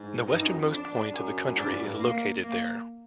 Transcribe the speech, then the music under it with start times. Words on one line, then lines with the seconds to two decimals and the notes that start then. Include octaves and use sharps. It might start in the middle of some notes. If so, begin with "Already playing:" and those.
The westernmost point of the country is located there.
Already playing: G#2
0.26 G2 D#4
0.40 F#2
0.55 F2
0.70 D4
1.13 F#2
1.56 G#2 D4
1.64 G2
1.73 F#2
1.82 G2
1.99 A#3
2.42 A#3